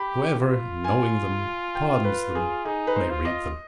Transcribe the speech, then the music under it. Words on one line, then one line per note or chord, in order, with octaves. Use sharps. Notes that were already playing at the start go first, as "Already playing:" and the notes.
Whoever, knowing them, pardons them, may read them.
Already playing: G4 B5
F4
G#5
G5
B4
G#4
D#4 G#4
B4
C5
F4
D#5